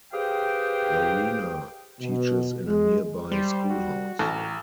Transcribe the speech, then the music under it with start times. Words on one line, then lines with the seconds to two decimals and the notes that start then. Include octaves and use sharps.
Lorena teaches in a nearby schoolhouse.
0.13 G4 G#4 B4 C5 F5 G5
2.00 B2
2.67 G#3
3.31 G3 C5
3.70 F#4
4.19 A1 A#5